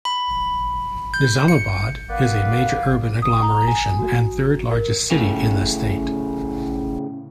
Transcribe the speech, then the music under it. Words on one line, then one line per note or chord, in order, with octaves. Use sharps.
Nizamabad is a major urban agglomeration and third largest city in the state.
B5
G6
C#7
A#3 B3 B4 D5 F5
D#6
A#5
G#5
F#4
A#4
A2 C#3